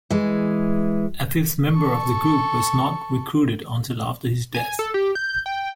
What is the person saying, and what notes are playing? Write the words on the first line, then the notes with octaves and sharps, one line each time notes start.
A fifth member of the group was not recruited until after his death.
E3 G#3
A4 C#6
G#5
A4
G4
G6
G5